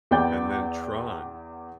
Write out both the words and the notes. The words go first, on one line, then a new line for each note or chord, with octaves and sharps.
and then Tron,
E2 B3 D5 G5 G6